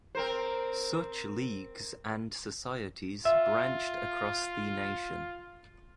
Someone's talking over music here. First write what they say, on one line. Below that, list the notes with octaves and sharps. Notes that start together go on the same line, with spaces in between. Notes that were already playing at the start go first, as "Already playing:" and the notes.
Such leagues and societies branched across the nation.
C4 A#4 C5
F4 E5